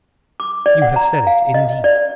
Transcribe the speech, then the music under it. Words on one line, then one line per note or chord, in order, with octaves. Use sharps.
You have said it, indeed.
D6
D5
F#5
A#5
F5
D#5
D5